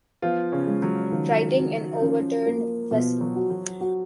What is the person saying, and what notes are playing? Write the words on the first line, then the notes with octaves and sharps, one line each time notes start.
Righting an overturned vessel.
F3 B3 F4
C#3 C#4
G#3
F#3
D#3 F3
F#4
F3 C#4
A#3
B2 F3
F#3
F#4
F#3
F#4